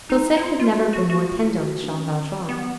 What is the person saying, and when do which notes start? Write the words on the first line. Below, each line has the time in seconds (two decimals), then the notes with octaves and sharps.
Cosette had never been more tender with Jean Valjean.
0.10 D#4
0.27 E4
0.37 E4
0.43 F4
0.60 F4
0.76 F#4
0.93 F#4
1.10 F#4
1.26 F4
1.43 E4
1.60 F#4
1.83 D4
1.93 C#4
2.27 C4
2.49 B3